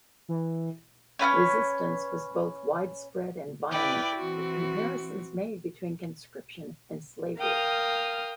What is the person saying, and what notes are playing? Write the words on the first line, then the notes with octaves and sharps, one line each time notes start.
Resistance was both widespread and violent, with comparisons made between conscription and slavery.
E3
C#4 F4 B4 C#5
E4 B4 D5 G5
E3 C4 F#4
A#4 F5 G5 D#6 F6